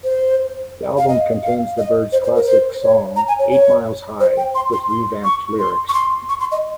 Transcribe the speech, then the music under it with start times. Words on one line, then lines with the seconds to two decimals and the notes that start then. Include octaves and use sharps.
The album contains the Byrds classic song "Eight Miles High", with revamped lyrics.
0.04 C5
0.98 F5
1.08 D#5
1.43 F5
1.78 D#5
2.12 C5
2.24 C5
2.35 A#4
2.47 C5
2.82 C#5
3.16 A#5
3.28 G#5
3.39 C#5
3.51 C#5
4.20 C5
4.37 G5
4.55 C6
4.73 C6
4.90 C6
5.24 C#6
5.59 C6
5.89 C#6
5.94 C6
6.29 C#6
6.40 C6
6.52 D#5